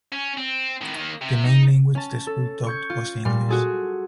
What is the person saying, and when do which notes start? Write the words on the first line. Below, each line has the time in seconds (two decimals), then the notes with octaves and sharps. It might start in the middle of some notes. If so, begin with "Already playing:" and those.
The main language the school taught was English.
0.13 C#4
0.37 C4
0.81 A2 D#3
0.97 D#3 A#3
1.22 C3
1.44 D#4
1.95 C#4 A5
2.27 A4
2.67 C#6 G6 G#6
2.90 F4
3.25 A#2 G3 C6
3.49 F#4 G#4 A4